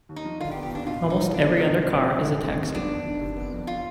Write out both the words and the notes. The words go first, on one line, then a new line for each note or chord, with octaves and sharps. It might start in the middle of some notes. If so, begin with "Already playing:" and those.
Almost every other car is a taxi.
D#2
D#4
F3
D3 F4
G4
B3
G4
D#2 D4
B2 F4
B2
D#4
F4
B3 D4
B2
D4
B2
C4
D#2
G#3
D#3
C4
D#2
B3 D4
F2
D#3
C3
B3
F2
F4